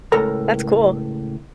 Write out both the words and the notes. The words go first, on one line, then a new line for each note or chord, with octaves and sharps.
That's cool.
C#2 A2 A4 A#4 A#5